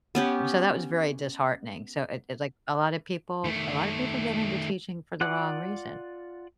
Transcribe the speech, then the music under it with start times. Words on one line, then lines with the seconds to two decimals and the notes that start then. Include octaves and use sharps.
so that was very disheartening. So it it like a lot of people a lot of people get into teaching for the wrong reason.
0.15 B3 C#4 G4
3.44 D#3 A3
5.21 F4 D5 F#5 D6 F#6